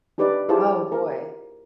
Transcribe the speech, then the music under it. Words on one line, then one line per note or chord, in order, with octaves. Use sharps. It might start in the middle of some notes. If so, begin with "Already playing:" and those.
Oh, boy.
D4 D#4 G4 B4 D5
E4 F4 G4 G#4 C5 A5
F4 A#4